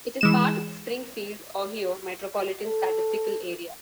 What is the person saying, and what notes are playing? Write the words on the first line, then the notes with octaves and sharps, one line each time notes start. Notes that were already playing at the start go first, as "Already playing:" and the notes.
It is part of the Springfield, Ohio Metropolitan Statistical Area.
E3 G#3 E7
A4